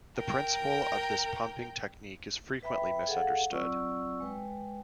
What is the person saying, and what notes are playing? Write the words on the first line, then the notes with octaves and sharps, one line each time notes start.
The principle of this pumping technique is frequently misunderstood.
A#4 G5
B4 E5 G5 B5
G#4 A4 F5 F#5
F#3 C4 F4 D5 C#6 E6
G#3 B4 G5